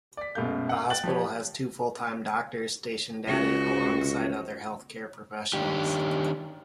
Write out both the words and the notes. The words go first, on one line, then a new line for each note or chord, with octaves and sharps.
The hospital has two full-time doctors stationed at it, alongside other healthcare professionals.
D5 B6
F#2 B2 G#3 A3 F5 G6
F5 F#5
G5 F#6 A6 F#7
F3 G4 C#5
C#2 C#3 F#4
D#3 D4 G4